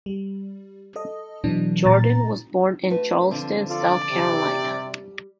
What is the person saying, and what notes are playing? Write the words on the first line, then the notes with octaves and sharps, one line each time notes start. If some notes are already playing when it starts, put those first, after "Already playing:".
Jordan was born in Charleston, South Carolina.
G3
A4 D#5
B2 E3 F#3 D4
A#2 A#5 A6
A3 F#4 B4
D3 F3 C4
F4 A4 D5
C3
G3